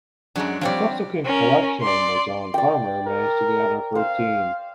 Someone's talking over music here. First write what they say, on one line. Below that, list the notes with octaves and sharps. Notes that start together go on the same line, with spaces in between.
A subsequent collection by John Farmer managed to gather thirteen.
F#2 F#3 G#3 D4
F3 G3 C4 D4 C#5 D5
C#4 A#4
D5 C6
D5 G5
A#4
C5 F5